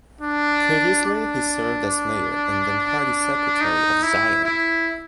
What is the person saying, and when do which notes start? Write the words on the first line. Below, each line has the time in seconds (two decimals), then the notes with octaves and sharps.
Previously he served as mayor and then party secretary of Ziyang.
0.21 D4
1.06 D4
3.61 D#4
4.03 E4
4.45 E4